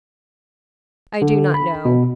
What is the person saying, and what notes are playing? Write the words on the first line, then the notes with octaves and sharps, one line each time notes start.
"I do not know."
D3
B5
B2